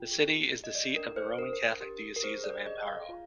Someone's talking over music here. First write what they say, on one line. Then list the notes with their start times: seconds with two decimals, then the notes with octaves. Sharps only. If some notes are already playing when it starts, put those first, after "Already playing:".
The city is the seat of the Roman Catholic Diocese of Amparo.
Already playing: F4 G5
0.11 G#4
0.53 G4
0.64 D#5
0.75 D5
0.96 D4 A#4
1.16 C5
1.38 D4 A#4
1.53 A#4
1.81 G4
2.16 A#4
2.23 G#4 C5
2.44 D5
2.66 G#4 D#5
2.87 F5
3.09 F4